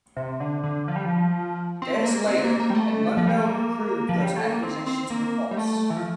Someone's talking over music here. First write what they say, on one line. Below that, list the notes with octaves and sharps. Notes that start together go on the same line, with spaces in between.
Days later, Edmundo proved those accusations were false.
C3
D3
D3
F3
G3
F3
C4
A3
A#3
C4
A#3
A#3
G3
A3
F3
G3
A3
A#3
F3
G3
A3
A#3
C4
C4
A#3
G3
A3
E3
F3